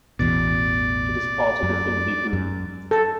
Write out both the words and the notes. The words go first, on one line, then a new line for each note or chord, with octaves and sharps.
It is part of the Findlay Group.
A1 E2 B2 D5
F#2
F#2
A4